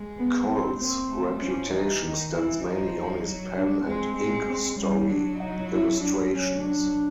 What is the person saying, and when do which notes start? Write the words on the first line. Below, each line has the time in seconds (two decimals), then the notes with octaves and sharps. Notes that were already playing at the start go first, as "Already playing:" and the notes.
Coll's reputation stands mainly on his pen and ink story illustrations.
Already playing: G#3
0.18 B3
0.48 C4
0.79 A#3 C4
1.10 A3
1.40 F3 C#4
1.71 E3 D#4
2.02 D#3
2.32 E3 E4
2.63 F3 D#4
3.25 F#3
3.55 D4
3.85 G#3 C4
4.16 G#3
4.47 C4
4.78 G3 C#4
5.08 F#3 D4
5.39 D#4
5.70 E4
6.00 D4
6.31 F#3 C#4
6.61 D4